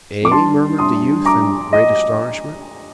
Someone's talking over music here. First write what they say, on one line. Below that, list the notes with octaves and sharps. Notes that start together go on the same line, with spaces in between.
"Eh?" murmured the youth in great astonishment.
F2 D6
G2 A5 C6
C6 D#6
A#5 D6
D#5